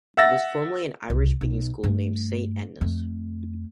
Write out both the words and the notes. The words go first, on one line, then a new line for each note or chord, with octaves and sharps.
It was formerly an Irish speaking school named Saint Enda's.
E5 F#5 E6 A6 A#6
C2
B1
G2 A3
F2 A3